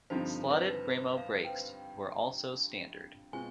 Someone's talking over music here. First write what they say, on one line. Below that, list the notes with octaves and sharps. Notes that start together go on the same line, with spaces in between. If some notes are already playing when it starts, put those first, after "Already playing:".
Slotted Brembo brakes were also standard.
G2 D3 F3 C4 D#4 C5
B4
C5
B4
C5
F5
G5
B2 G#3 C4 F4 G#5